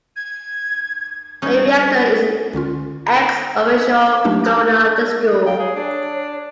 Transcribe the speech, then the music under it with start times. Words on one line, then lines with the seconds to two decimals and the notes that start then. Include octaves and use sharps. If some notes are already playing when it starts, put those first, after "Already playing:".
The Rector is an ex officio Governor of the school.
0.16 G#6
1.42 F2 G3 C#4 D#4 G#6
2.53 C#2 D3 C#4 F4
4.24 F#3 A3 A#3 D4 D#4 G4
4.44 A5 A#5 D#6 F6 F#6 G#6
5.46 F5 G5
5.59 G#4 C#5
5.75 D4 C#5